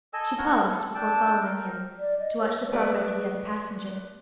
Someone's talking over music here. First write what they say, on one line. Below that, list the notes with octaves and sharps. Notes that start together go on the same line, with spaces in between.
She paused, before following him, to watch the progress of the other passenger.
A4 D#5 G#5 E6
A4 A#4 C#5 F#5
A3 G#4
A4
D4 G5 A5 E6
A#4 G5
D5
D#5
C#5
A3 B3 B4 D5